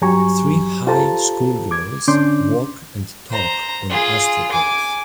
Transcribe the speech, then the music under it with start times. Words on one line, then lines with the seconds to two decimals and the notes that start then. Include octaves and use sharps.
Three high schoolgirls walk and talk on AstroTurf.
0.01 G2 F#3 G4 G#5 A#5 C#6
0.87 F4 G4 A4 C5 A5 A#5
1.71 D6 G#6
2.08 D3 C#4 D4 C6 D6 G6
3.30 C5 A#5
3.90 F4 G#4
4.51 G#5 D6